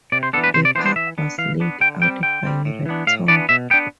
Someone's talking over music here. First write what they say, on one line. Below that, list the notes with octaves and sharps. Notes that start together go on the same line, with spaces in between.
The park was laid out by Repton.
C3 D5
C5
E3 B3 D4 A4
B4
C3 C5
D5
E3 B3 D4 C5
C5
E3 E5
B3 D4
E3 F5
B3 D4
D3 G5
G3 C4 G5
D3 G5
G3 C4
A2
E3 B3 D4
A2 F5
E3 B3 D4 D5
B2 E5
B3 D4 G5